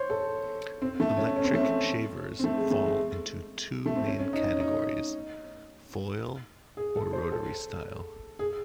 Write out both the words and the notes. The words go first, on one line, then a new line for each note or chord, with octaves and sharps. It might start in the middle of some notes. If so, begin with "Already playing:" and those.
Electric shavers fall into two main categories: foil or rotary-style.
Already playing: C5 C#5
A4
C4
A3
C#4
C#4
C4
A3
C4
C4
A3
G#3
A3
G#3
A3
C4
C#4
C#4
D#4
C#4
D#4
G#4
A4
C5
A4
G#4